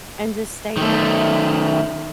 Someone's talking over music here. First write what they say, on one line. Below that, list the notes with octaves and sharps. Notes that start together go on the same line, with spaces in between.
and just stay there.
D#3 A3